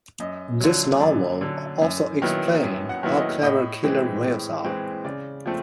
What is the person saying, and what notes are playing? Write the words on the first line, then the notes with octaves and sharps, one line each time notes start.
This novel also explain how clever killer whales are.
F#2 D#5
D3 F#3
F#2 D5
D3 F#3
F#2
D#3 F#3 B3 E4
F#2
F#5
D#3 F#3 B3 E4
D#5
A2 D#5
E3 G#3 C4
A2
E3 G#3 C4
C#3 D5
F3 A3 C4